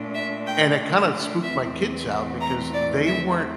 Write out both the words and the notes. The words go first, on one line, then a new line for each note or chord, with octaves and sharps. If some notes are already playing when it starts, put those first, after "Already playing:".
And it kinda spooked my kids out because they weren't,
Already playing: A#2 A3 D4
E5
G5
E2 E3 A3 C4 E5
A#5
D5
E5